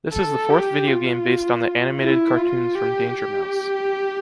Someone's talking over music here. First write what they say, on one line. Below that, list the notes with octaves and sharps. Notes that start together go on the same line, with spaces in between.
This is the fourth videogame based on the animated cartoons from Danger Mouse.
A4
G4
F4
E4
F4
G4
G4